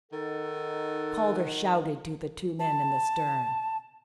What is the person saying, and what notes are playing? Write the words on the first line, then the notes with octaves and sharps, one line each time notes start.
Calder shouted to the two men in the stern.
D#3 D#4 A4 F#5
A5